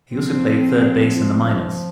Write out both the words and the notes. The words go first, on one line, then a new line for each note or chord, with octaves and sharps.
He also played third base in the minors.
F3 C4